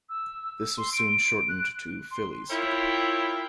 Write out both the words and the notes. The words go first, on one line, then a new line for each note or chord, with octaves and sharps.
This was soon shortened to "Phillies".
E6
C6
D7
F#6
C6
E4 F4 A#4 C#5 G5 B5